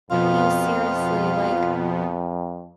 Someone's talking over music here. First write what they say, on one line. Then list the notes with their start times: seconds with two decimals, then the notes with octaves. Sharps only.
No, seriously, like
0.11 F2 B2 F3 B3 F4